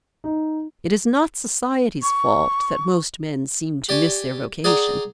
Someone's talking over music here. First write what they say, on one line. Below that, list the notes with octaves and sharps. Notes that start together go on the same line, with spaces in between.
It is not society's fault that most men seem to miss their vocation.
D#4
C#6
G4 D5 G#5 C#6
G#4 D5 F#5 G5 A#5